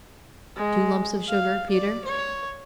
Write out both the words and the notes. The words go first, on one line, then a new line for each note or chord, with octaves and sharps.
"Two lumps of sugar, Peter?"
G#3
F5
D5
C#5